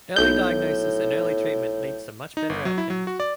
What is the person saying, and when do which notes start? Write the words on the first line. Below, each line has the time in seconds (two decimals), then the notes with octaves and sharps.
Early diagnosis and early treatment leads to much better outcomes.
0.16 B1 A2 G6
2.37 D#4
2.49 G1
2.65 F#3
2.78 E4
2.90 F#3
3.07 F#4
3.20 D5